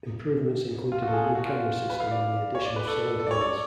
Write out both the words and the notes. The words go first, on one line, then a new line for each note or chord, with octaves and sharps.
Improvements included a new camera system and the addition of solar panels.
F4
F#4
A4
G#4
G#4
F#4
F4
B4
F5
D5
C#5
D5
B4
A4
A4
D5
C#5
D5